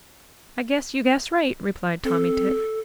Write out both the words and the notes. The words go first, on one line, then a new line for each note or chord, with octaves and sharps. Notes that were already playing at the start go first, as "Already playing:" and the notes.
"I guess you guess right," replied Tommy Tit.
C4 A4